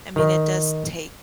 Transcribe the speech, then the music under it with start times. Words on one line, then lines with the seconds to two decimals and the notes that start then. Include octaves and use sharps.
I mean, it does take
0.16 D#3